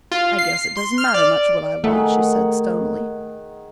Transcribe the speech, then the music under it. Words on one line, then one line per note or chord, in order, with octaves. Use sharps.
"I guess it doesn't matter much what I want," she said stonily.
F4
C7
C6
F6
D5
D#3 A3 G#4 F#5